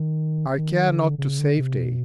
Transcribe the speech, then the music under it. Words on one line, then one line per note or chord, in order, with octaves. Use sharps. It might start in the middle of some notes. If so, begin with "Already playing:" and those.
I care not to save thee.
Already playing: D#3
D#3
D3
C#3
D3
C3
B2